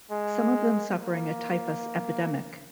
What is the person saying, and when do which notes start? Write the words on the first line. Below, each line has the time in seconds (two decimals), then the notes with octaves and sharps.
Some of them suffering a typhus epidemic.
0.11 G#3
1.00 A#3